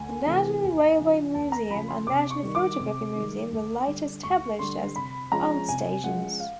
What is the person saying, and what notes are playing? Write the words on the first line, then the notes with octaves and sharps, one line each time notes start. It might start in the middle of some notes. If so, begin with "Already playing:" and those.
The National Railway Museum and National Photography Museum were later established as "outstations".
Already playing: D2 G#5
C3 E3 A3
D#2
C#3 F3
D#2 A5
A#5
C#3 F3 B5
C6
C3 D6
C#6
D#3 G3
D6
C3
D#3 G3
D2
D3 G3
D2 C#6
D3 G3 C6
C3 B5
F3 G#3 C#4 A#5
C3 G#5
F3 G#3 C#4 F#5
F5